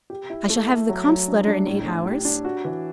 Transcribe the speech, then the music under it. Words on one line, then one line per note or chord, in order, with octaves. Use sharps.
"I shall have the comte's letter in eight hours?"
G4
E4
A3
A3
F#3
F#3
D4
D4
A2
A2
G4
D4
F#4
E3